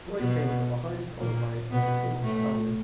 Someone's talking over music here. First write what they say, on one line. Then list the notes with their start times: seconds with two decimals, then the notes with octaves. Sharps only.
Roy came from a highly qualified and distinguished family.
0.18 B2 B3
1.20 A#2 A#3
1.71 B2 B3
2.22 A2 A3